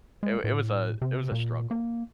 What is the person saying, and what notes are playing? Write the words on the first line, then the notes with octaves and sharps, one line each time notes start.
it it was a it was a struggle.
G#3
A2
C3
A#2
A#3